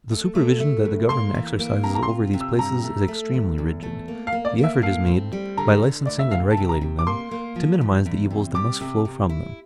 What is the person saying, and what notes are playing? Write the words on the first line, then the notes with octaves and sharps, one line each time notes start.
The supervision that the government exercises over these places is extremely rigid; the effort is made, by licensing and regulating them, to minimize the evils that must flow from them.
A3
A3
A3
D2
A#3 C6
E3
A#3
C3 A#5
A#5
C6
F4
C3
E6
G2 A#5
A3
A3
E2
E2
A3
A#3
F5
A#3
D5
A#3
E5
A2 F5
C4
G3
D3 A#5
D3
D2 D5
E5
C3 F5
A5
C3
A#5
C3
D6
A#3 C6
A#3
F3
E2
E2
C3
G3 D6
C3
C3
E4